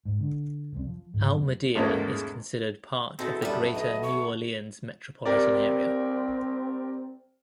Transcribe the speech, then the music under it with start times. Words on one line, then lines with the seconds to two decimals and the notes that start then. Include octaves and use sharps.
Almedia is considered part of the Greater New Orleans Metropolitan area.
0.05 G#2
0.20 D3
0.72 F1 C2 C4
0.86 F3
1.14 G#2 D3
1.32 F2 C3 F#3 B3
1.75 E2 G#2 B2 A3 A#3 C#4
3.19 B2 E3 G#3 C4 D#4 A4
3.42 F#2 G3 A3 B3
3.75 B1 D#5
4.03 C#6
5.26 C4 G4 A#4 D5